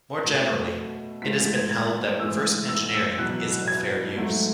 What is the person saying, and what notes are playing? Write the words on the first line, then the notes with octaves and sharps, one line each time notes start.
More generally, it has been held that reverse engineering is a fair use.
B2 A3
G#2 E3 A3 B6
A6
G#6
G#6
G#2 E3 A3 E6
E6
E6
E2 B2 F#3 F#6
G#6
G#2 F#3 A3